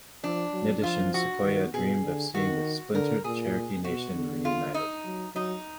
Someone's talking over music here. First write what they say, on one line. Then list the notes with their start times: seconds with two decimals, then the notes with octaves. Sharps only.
In addition, Sequoyah dreamed of seeing the splintered Cherokee Nation reunited.
0.24 F3 D4
0.53 F#3
0.83 F3 F4
1.14 F#4
1.44 D#3
1.74 B2 G#4
2.04 D3
2.34 D#3 F#4
2.95 D3 A#4
3.24 A#2 G#4
3.84 B2 F#4
4.15 D3
4.45 F4
4.74 D#4
5.05 F#3
5.35 F#3 D#4